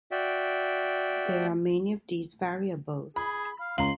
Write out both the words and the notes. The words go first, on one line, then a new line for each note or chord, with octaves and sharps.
There are many of these variables.
F#4 D5 E5 G5
G#4 B5
F5
C#2 F5 A#5 C6 F#7